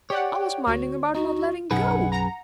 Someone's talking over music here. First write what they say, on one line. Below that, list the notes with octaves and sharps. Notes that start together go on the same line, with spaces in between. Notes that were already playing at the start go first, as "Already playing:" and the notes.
"I was minding about not letting go."
G4 C#5 D5 F#5 G5
D2 F#4
D#4 F#4
B1 F#2 D#4 G#4 B4 F#5
F#5 A#5